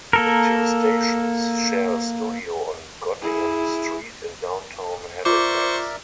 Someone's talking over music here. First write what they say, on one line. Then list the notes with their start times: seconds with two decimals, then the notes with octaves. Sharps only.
The two stations share a studio on Gottingen Street in Downtown Halifax.
0.13 A#3 A4 A#4
3.22 E4 G#4
5.25 F4 A#4 C5 D5 E5 C#6 D6